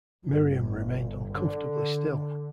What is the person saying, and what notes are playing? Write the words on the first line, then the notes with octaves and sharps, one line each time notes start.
Miriam remained uncomfortably still.
G1
D3